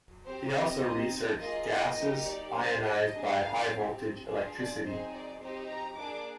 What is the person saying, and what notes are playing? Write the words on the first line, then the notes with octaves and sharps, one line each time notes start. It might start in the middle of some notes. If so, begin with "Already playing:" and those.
He also researched gases ionized by high-voltage electricity.
C4 G4 C5
D#5
C4 D#4 G4
A#3 F4 G#4 D#5
D#5
A#3 D#4 G4
D5
D4 G4 C5
D#5
A#3 D4 G#4
F5
C4 G4
D4 F4 G#4
D5
C4 D#4 G#4 C5
D5
C4 D#4 G4 C5
A#5
A#3 D4 G#4 D6